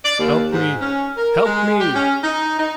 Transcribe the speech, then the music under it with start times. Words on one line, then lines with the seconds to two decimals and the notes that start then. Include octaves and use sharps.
Help me! help me!'
0.05 D5
0.19 D#2
0.53 G#2
0.80 C#4
1.18 A#4
1.46 G#3
1.79 G4
1.95 C#4
2.24 D#4
2.60 D#4